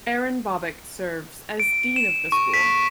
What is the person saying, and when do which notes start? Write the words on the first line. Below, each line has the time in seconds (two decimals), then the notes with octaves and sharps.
Aaron Bobick serves as dean of the school.
1.60 D7
1.96 E7
2.32 C#6
2.54 B6